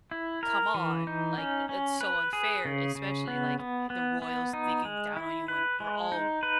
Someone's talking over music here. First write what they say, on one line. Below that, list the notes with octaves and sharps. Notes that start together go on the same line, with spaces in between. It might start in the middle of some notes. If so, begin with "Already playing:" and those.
come on, like, i it's so unfair, especially, like, h the royals thinking down on you when we're all
E4
A#4
E3
D#4
C#4
C#4
B4
G#4
C#3
C#3
B3
B3
B3
B3
D#4
G#3
E4
B4
G#3
D#4
B4